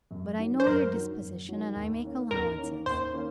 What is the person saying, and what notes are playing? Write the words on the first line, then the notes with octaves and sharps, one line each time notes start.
But I know your disposition, and I make allowances.
F#2
D#3 F#3
C5
F#2 A#4
D#3 F#3
F#2
D#3 F#3
D#2
D#3 A#3 C#4
D#2 A#4
D#3 A#3 C#4
D#2 C5
D#3 A#3 C#4